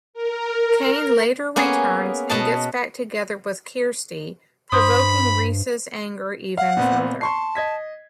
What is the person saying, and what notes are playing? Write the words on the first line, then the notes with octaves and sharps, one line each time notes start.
Kane later returns and gets back together with Kirsty provoking Rhys' anger even further.
A#4
A#3 B3 C#4 G#4
B2 D#5 A5
G2 C5 B5 C6 D#6
F5 F#5
A#2 B3 C4
A5 C6 C#6 C7
D#5 G#6 B6